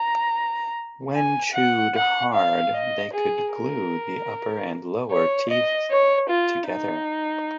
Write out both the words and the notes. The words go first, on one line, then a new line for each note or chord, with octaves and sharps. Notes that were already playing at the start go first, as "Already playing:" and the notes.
When chewed hard, they could glue the upper and lower teeth together.
Already playing: A#5
G#5
F#5
F#5
F5
D#5
G#4
A#4
C#5
D#5
C#5
F4
D#4